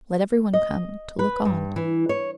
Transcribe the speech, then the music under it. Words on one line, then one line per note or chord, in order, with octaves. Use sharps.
Let every one come ... to look on.
D#5
B4
G2
E3
C#5